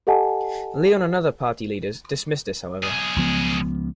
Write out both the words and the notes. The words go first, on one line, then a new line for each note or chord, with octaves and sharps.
Leon and other party leaders dismissed this, however.
G4 A4 D#5 F#5 G#5 A5
B1 G#4
C#2 F3 B3